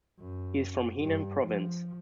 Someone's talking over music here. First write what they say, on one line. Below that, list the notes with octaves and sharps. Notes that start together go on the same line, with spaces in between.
He is from Henan province.
F#2
G2
F3